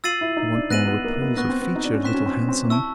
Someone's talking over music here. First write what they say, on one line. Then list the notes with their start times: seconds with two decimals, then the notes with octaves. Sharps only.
I want more repose of feature, Little Handsome.
0.04 F4 E6 A6 C7 D#7 F#7
0.21 E4
0.37 D#4
0.54 D4
0.70 B3 F#6 A#6 D#7 F#7
0.87 B3
1.04 A#3
1.21 B3
1.37 B3 C#6 F#6 A#6
1.49 C4
1.62 B3
1.75 D#4
1.84 D4
1.93 C#4
2.03 C4 C#6 F#6 B6 E7
2.14 C#4
2.26 C4
2.41 C#4
2.49 C4
2.70 E4 A5 C#6 E6